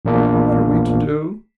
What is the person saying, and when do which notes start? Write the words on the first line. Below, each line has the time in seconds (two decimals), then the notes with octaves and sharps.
"What are we to do?"
0.05 A#1 E2 A#2 A#3 D4